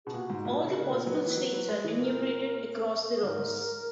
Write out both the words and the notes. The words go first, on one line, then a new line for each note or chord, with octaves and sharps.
All the possible states are enumerated across the rows.
B2 G#4
A#2 F#4
G#2
A#2
C#3
C#3 A#4
B4
A#2 A#4
F#3 B4
E3
F#3
F#3
G#3
E3
A#2 A#4
G#4
G#2 A#4
G#2